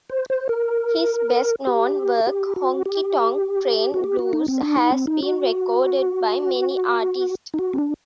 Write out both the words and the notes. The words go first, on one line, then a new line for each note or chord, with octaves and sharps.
His best-known work, "Honky Tonk Train Blues", has been recorded by many artists.
C5
C5
A#4
G4
G4
F#4
G4
F#4
G4
F#4
D#4
C4
D4
D#4
C4
D#4
F#4
D#4
F#4
C4
D4